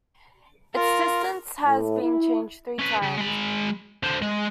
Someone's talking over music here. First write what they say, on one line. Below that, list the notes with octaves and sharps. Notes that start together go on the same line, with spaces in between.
Its distance has been changed three times.
F4 A#4
A2
E4
C#4 B4
C#3
G#3 B5
D3 C5
G#3